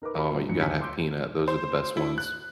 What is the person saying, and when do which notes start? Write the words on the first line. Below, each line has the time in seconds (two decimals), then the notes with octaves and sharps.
Oh, you gotta have peanut, those are the best ones.
0.02 D#4 A#4 B4 D6
0.14 A#3 F#4 A#4 A#5 B5
0.31 A#2 G3
0.47 D1 A#1 G2 C#7
0.61 D2 G#5 B6
0.81 C6 D6 E6 G6 D7
1.48 C5
1.97 E4
2.18 F#6